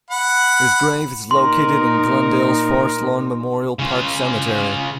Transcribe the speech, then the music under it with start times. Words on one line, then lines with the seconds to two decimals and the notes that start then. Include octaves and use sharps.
His grave is located in Glendale's Forest Lawn Memorial Park Cemetery.
0.11 F#5 B5
1.31 A#2 D#4 A#4 C6
3.79 C#3 F4